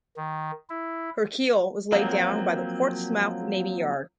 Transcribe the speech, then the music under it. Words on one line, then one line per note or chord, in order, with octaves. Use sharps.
Her keel was laid down by the Portsmouth Navy Yard.
D#3
E4
F3 F#3 A#3 C4